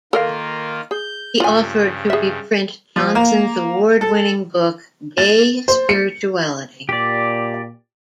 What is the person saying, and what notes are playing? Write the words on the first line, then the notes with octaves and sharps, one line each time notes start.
He offered to reprint Johnson's award-winning book, Gay Spirituality.
D#3 A#3 F4 A4 A#4 F5
G#4 G6
G2 C#3 F4 G#5
G#4 E5
F3
A#3
A4
A6
C5
C#7
A#2 G4 D5